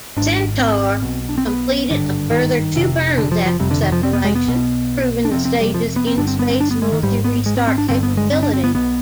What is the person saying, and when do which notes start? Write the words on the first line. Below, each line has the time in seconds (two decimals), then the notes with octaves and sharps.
Centaur completed a further two burns after separation, proving the stage's in-space multi-restart capability.
0.17 G#1 G#2 D4
0.59 C4
1.02 B1 B2
1.29 D4
1.38 C4
1.46 B3
1.88 G#1 G2 D3
2.31 D#3
2.74 F1 F2 C3
3.18 D3
3.32 F3
3.46 F3
3.60 F1 F2 C3 G3
3.71 D3
3.82 D#3
3.92 F3
4.03 C4
4.13 B3
4.25 G#3
4.35 B3
4.46 B1 B2
5.25 D4
5.32 F1 F2 C3 C4
5.45 C4
5.60 G3
5.74 F3
5.96 B3
6.07 C4
6.17 G1 G2 D3 D4
6.27 C4
6.39 B3
6.50 C4
6.60 D4
6.71 B3
6.82 G#3
6.92 D#3
7.03 G#1 G#2 G3
7.24 B3
7.46 G#3
7.57 C4
7.67 C4
7.78 D4
7.89 G1 G2 D3 C4
8.03 B3
8.17 G#3
8.32 C4
8.43 D4
8.53 C4
8.64 B3
8.75 B1 B2 B3